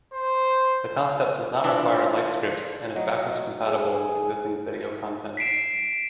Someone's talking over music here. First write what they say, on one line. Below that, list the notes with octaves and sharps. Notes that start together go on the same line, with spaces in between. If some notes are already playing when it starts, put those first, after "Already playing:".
The concept does not require light-scripts, and is backwards compatible with existing video content.
C5
E3 D4 F4
F#3 D#5
G#4
B6 C7 D7 E7